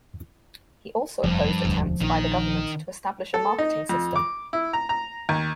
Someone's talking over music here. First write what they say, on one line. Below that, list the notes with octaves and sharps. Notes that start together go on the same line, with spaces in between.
He also opposed attempts by the government to establish a marketing system.
F1 G2 F3
E1 D2
A#1 D#3 D#4
A4
D#4
F2
D6
E4
A#5
A#5
D#2